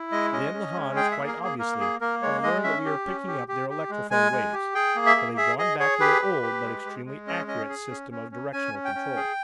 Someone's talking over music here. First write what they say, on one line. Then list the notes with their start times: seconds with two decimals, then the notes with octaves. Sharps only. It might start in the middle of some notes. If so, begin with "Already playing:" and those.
Then, the Hans quite obviously have learned that we are picking up their electrophone waves, for they've gone back to their old, but extremely accurate, system of directional control.
Already playing: E4
0.12 G#3 D#5
0.33 C#4 D#5
0.54 C#4
0.75 G#3
0.96 G#4 G5
1.12 E5
1.17 A#3
1.28 A#4
1.38 A#3
1.44 G#4
1.58 A#3 A#4
1.80 G#4
2.01 A#3 A#4
2.22 G#3 C#5
2.43 G#3 D#5
2.64 C#4 E5
2.85 G4
3.06 C#4
3.27 G4
3.48 G4
3.70 G4
3.90 G#3
4.11 G#3 G#5
4.32 G#3
4.53 G4
4.74 G#4 G5
4.96 A#3
5.06 E5
5.16 G#4
5.37 G#4 E5
5.58 G#4 D#5
5.80 G#4 C#5
6.00 G4 B4
6.22 G4
6.43 G4
6.64 G#3
6.85 G#3
7.06 G#3
7.27 C#4 D#5
7.47 C#4 D#5
7.69 G#4
7.90 C#4
8.11 C#4
8.31 C#4
8.53 C#4 G#5
8.74 C#4
8.85 G5
8.95 C#4
9.17 G#4